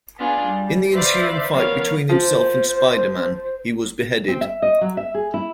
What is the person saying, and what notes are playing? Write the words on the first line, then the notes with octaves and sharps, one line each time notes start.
In the ensuing fight between himself and Spider-Man, he was beheaded.
B3 D4 F4 G#4
G3
B4 C5 D5 E5 F5
F3 B3 A#4 C#5 F5
F3 C5
C4
E5
D#5
F#3
E5
G#4
E4